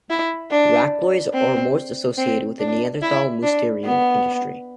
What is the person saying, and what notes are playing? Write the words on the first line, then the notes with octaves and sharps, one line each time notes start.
Racloirs are most associated with the Neanderthal Mousterian industry.
E4
D4
C4
C4
D4
E4
D4
B3